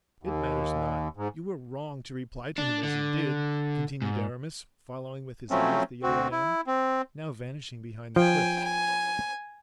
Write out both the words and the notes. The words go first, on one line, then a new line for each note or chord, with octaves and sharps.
"It matters not; you were wrong to reply to him as you did," continued Aramis, following with his eyes the young man, now vanishing behind the cliffs.
D#2
G#2
D4
D3
G#2
F3 F#3 A3 C4 C#4
D2 C4 F#4
E4
C4
F3 G5 G#5
G#5